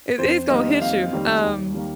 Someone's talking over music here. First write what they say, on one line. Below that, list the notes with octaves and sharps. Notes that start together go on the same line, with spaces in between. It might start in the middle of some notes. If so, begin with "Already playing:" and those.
It it's gonna hit you, um,
F2 C5
D#3 G3 A#3 D#5
F2 F5
D#3 G3 A#3
D#2
D#3 G3 A#3